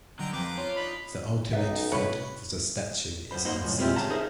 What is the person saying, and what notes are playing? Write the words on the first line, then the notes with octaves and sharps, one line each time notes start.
The ultimate fate of the statue is uncertain.
D3 F#3 D#5 G5 A#5
F2 C4 B4 C5 A#5 D6
F4 C#5
D4 D#4 B5
B1 C#3 B3 D#4 E5
A2 C3 B4 C#5 B5
F#2 A#2 C5 B5
A#3 D#4 F#4 C5
C#2 F#2 A2
A#2 G#3 C4 E4 F4 G4
C#2 C#3 A5 A#5
D#4 G#4 A#4 C5 E5